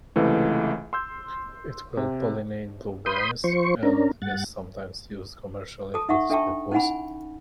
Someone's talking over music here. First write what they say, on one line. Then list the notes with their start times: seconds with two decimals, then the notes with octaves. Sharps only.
It will pollinate blueberries, and is sometimes used commercially for this purpose.
0.16 C#2 C3 E3 A3
0.93 C6 E6 G6
1.97 C3
3.06 B5 C6 D#6 G6
3.44 F3 C5 C#6
3.83 C#4 D4 A#4
4.22 G2 F#5 A6
5.94 A4 A5 D#6
6.09 D#4 E5 F#5 C#6
6.30 D4 A4 E5 G5 A5 C#6
6.72 C#4 D#4 E4 F#5 G#5 B5